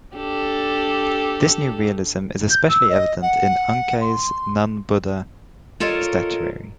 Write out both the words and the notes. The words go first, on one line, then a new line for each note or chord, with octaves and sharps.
This new realism is especially evident in Unkei's non-Buddha statuary.
D4 G4 A4
G6
E6
D#5
F#5
C6
F4 A4 A#4 C#5 D#5